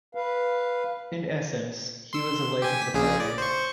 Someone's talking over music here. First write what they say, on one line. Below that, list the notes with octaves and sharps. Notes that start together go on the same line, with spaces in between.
In essence, he was the life of the party.
B4 F5
C6 E6
G4 G#5
B6
A#1 C#3 G#4
D5
C5 C#6